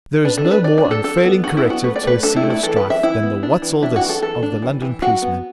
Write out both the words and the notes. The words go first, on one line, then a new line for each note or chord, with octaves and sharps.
There is no more unfailing corrective to a scene of strife than the 'What's all this?' of the London policeman.
D4 B4
A4
D4
B4
D4 D5
D5
D4
A4
D4 A4
B3
D4 F#4
E4
B3
F#4
A3 B4
D5
A3 B4
D4 A4
E4
A3
E4
E3 A4
B4
E3
E5
E3 E4
B3
D4
E3
D4 E4
F#4
E3
A4
E3 A4
D4
E3
E3
F#3 F#4
B3